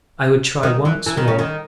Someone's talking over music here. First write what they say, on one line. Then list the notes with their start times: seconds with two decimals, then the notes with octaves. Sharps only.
I would try once more.
0.63 D#3
0.85 E3
1.06 E3
1.17 D#3
1.28 C#3
1.39 D#3